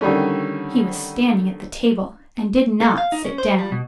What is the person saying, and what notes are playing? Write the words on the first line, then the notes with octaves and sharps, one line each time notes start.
He was standing at the table and did not sit down.
D3 D#3 G3 A3 C#4
A4
F5
D#4
C#4
C5
G3
B2